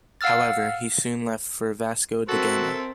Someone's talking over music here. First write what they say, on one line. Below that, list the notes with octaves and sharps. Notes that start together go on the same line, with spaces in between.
However, he soon left for Vasco da Gama.
F5 F#5 E6 F6 A6
C4 F#4 A4 A#4 E5